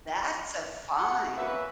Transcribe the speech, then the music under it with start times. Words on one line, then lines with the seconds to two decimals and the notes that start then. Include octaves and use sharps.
That's a fine.
0.96 F#5
1.35 A#3 C#4 F#4 B4 E5